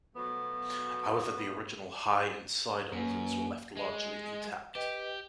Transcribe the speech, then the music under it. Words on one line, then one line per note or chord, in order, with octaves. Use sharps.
However, the original high and side altars were left largely intact.
B2 F3 F#3 A3 B3
F#2 A#3 B4
G#3 D#5
G4 B4 D#5 G5